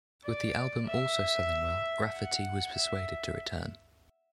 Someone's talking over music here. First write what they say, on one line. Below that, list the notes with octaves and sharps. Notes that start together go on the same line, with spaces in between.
With the album also selling well, Rafferty was persuaded to return.
D5
E5
F#5
E5